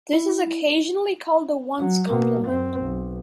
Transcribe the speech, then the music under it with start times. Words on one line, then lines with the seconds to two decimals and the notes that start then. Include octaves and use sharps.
This is occasionally called a ones' complement.
0.13 E4
1.79 F#3
2.09 B2 A#3
2.45 F#2 C4
2.82 B1